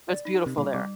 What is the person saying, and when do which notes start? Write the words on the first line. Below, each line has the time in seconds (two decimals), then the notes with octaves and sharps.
It's beautiful there.
0.09 D5
0.25 D#4
0.41 A#4
0.46 C3
0.57 A#2 D3 G3
0.74 C3 G3